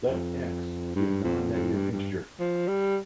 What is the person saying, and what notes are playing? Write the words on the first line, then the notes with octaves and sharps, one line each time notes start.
Let "X" be a non-negative integer.
F2
G2
F2
F2
G2
G2
F3
G3